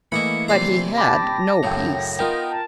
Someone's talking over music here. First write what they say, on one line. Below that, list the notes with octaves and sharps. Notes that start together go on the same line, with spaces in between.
But he had no peace!
E3 A3 A#3 E4 D#5 B5 C#7
C3 D5 A#5 C7
G5 A5 B5 D6 A#6
F#2 A2 C#3 C#5 G5
B3 D#4 F4 A#4 G5
A5